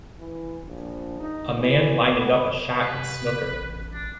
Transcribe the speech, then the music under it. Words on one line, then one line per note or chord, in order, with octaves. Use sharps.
A man lining up a shot in snooker.
E3
A#1
D#4
E3
B3
C3 B4
A1
D4